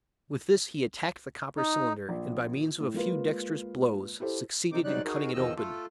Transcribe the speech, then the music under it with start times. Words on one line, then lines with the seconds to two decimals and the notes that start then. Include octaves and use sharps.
With this he attacked the copper cylinder, and by means of a few dexterous blows succeeded in cutting it open.
1.57 D#4
2.09 A#1
2.80 A2
2.94 G#3 A#3 F4 B4
4.20 E4 G4 A4 C5
4.72 C3 D#3 C4 D#4 D6
4.84 G#2 F#3 G3 D#4 D5 F#6
5.05 D#4 F#4 G#4 A#4
5.33 E2 B2 D#3 F3 D#5 E6
5.56 A3 F4 A4